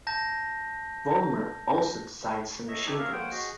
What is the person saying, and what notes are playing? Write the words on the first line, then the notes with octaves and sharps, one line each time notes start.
Vollmer also designed some machine guns.
A5 G6 A#6
C#5 D#5 E5
D#4 E4 G4 A4 B4 C#5
G#4 A#4 C#5 E5 F5
A#3 C5 C#5 F#5 G5
F#4 G#4 D#5